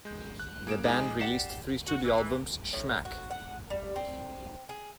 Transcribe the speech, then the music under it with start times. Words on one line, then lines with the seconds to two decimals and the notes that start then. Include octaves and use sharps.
The band released three studio albums Schmack!
0.05 G#3 G6
0.40 F#6
0.67 A#3 G#4 D7 E7
0.84 F2 G#3 D#4 G#5 D6
1.20 G4 D5 F#5 C7 E7
1.87 F#4
2.04 E3
2.73 A2
3.05 F#4
3.31 F#5
3.70 G3
3.96 C4
4.69 G#4